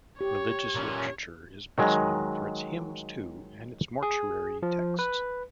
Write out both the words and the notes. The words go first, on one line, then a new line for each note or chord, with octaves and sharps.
Religious literature is best known for its hymns to and its mortuary texts.
G4 C#5
A#2 C#4
D#3 F#3 G#3
G#4
F3
B4